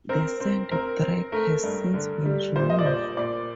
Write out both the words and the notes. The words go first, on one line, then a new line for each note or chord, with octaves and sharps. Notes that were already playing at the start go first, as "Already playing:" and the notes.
The sand drag has since been removed.
C4 A#4
C4
C4 A#4
C4
A3 A#4
G2
D3
G3
A#2 C5
D#5
D5
A#2 C5
A#2 D5